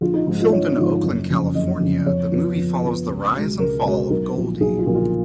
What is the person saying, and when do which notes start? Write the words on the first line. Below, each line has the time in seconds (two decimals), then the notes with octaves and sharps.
Filmed in Oakland, California the movie follows the rise and fall of Goldie.
0.01 A#1 F4
0.14 D#4
0.27 G#2 F3 D#4
0.40 F4
0.52 A#1 C#5
0.77 G#2 F3
1.03 F#1
1.30 F2 C#3
1.54 F#1 D#5
1.80 F2 C#3
2.06 F2 C#5
2.32 F3 B3
2.57 F2
2.83 F3 B3
3.08 C#2
3.33 B2 G#3
3.59 C#2 A#4
3.85 B2 G#3
4.10 B1 A#4
4.36 A#2 F3
4.61 B1 G#4
4.79 F4
4.86 A#2 F3
4.95 F4